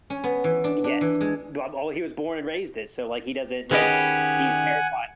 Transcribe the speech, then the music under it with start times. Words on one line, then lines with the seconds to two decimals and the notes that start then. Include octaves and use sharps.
Yes, w well, he was born and raised it, so like he doesn't, like he's terrified.
0.10 C#4
0.24 B3
0.44 E3
0.64 D4
0.84 D4
1.01 E3
1.21 G#3
3.71 D#3 C#4 G4 G#4 B4 D#5 F#5 G#5